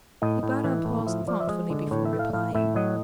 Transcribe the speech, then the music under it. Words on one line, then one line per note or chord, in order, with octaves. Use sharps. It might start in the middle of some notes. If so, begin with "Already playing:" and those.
Ibarra paused thoughtfully before replying.
A2 D#5
A2
E3
A2
F3 E5
F3 D5
E5
G#3 D#5
D3
A2 C#5
E5
A3
F5
A2 F5
A2 E5
F#3 D#5